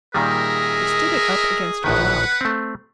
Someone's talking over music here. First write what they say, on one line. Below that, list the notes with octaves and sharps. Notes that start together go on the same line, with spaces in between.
We stood it up against a rock.
A#2 D#3 G3 G#4 A#4 D#5 E5
A#1 A2 D#3 B4 F#5
A3 C4